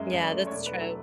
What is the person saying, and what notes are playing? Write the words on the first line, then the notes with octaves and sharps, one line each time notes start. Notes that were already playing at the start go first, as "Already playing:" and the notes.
Yeah, that's true.
Already playing: F#2 G#3 E5
F#2
D5
A3
C#5
E1 D5
B4
F#3
A4